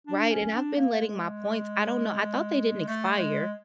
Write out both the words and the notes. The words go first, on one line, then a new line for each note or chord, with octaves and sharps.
Right, and I've been letting my points I don't know, I thought they didn't expire,
D4
C#4
D4
A#3
G#3
A3
G#3